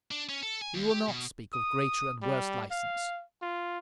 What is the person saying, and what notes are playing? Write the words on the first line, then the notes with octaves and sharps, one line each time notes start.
We will not speak of greater and worse license.
D4
C#4
A4
G#5
D#2
G4
B2
D#6
G3
F5
F4